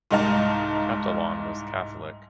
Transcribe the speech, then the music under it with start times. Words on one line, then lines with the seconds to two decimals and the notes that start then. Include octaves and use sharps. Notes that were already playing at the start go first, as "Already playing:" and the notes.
Catalon was Catholic.
0.11 C2 G#2 D#4 F5 A5